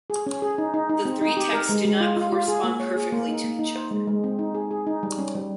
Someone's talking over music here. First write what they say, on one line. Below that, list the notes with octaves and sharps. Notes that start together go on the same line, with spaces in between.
The three texts do not correspond perfectly to each other.
G#4
C#4
G#4
D#4
D#4
D#4
C4
D#4
G4
A#4
G#3
G#3
F4
F4
F4
G#4
A#3
C#5
G#4
A#3
D#4
A#3
D#4
C5
G#3
G#3
C4
D#4
G#4
G#4
D#4
G3
C#4
G3